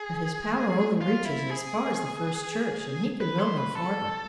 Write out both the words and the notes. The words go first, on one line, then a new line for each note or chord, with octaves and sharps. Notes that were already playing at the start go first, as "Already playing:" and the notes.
But his power only reaches as far as the first church, and he can go no farther.
Already playing: G#4
F4
E4
G#4
B4
C5
B4
A4